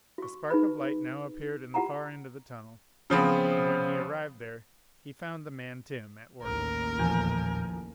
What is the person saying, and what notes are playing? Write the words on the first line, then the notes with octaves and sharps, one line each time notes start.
A spark of light now appeared in the far end of the tunnel, and when he arrived there he found the man Tim at work.
F#4 C#6
D#4 G#4 B4 B5
F4 G4 F#5 A5 A#5
C#3 F3 B3 C4
A1 D#2 A#4
E2 A#2 F3 G#5 G6